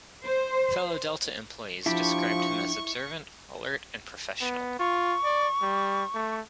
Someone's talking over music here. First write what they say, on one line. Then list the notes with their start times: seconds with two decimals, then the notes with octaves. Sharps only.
Fellow Delta employees described him as observant, alert, and professional.
0.23 C5
1.86 F3 D4 E4 G4 B5 C#6
4.41 B3
4.79 F4 C#6
5.24 D5
5.62 G3
6.15 A3